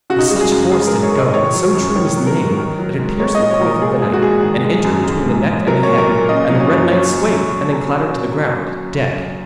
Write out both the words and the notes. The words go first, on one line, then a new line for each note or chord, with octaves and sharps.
With such force did it go, and so true was the aim, that it pierced the coif of the knight, and entered between the neck and the head, and the red knight swayed and then clattered to the ground, dead.
C#3 F#4
D#4
G#3 F#4
G#4
F#2
G#3 G#4
A#4
G#2
C#5
G#2 D#5
D#5
D#3 C#5
F#3
F#2
D#3 C#5
F#3
A#4
G#2
D#3
F#3
G#2
G#3 C#5
D#5
A#2
C#5
A#2
A#4
G#3 G#4
G#2 G#4
F#4
G#2 G#4
D#3
G#3
F#2
G#3
G#2
G#2
F#3 A#4
A#2 C#5
A#4
A#2
C#3 D#5
F#3
C#5
F#2
F#3 C#5